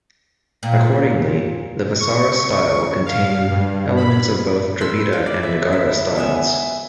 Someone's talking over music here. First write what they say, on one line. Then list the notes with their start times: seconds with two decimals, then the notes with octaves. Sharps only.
Accordingly, the "Vesara" style contain elements of both Dravida and Nagara styles.
0.63 A#2
2.00 C#6
3.06 F5
3.51 G2
3.97 B5
4.80 B5 C6 E6
5.13 F5
5.26 D5
5.43 E5
5.73 E4
6.16 B3 E5 G#5